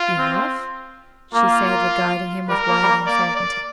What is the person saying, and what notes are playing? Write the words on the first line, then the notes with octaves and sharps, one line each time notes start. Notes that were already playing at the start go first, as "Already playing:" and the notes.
"You HAVE?" she said, regarding him with wild uncertainty.
Already playing: F4
C4
A#3 F4
G3 A#4
A#3
G3
A#3
A#3 D5
D5